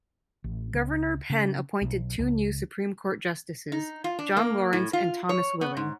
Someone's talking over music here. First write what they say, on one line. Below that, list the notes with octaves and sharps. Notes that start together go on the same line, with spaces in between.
Governor Penn appointed two new Supreme Court justices, John Lawrence and Thomas Willing.
A1
C#2
C#3
B1
C#2
D#4
F4
D4
A#3
A2
F4
C#5
B3
G#2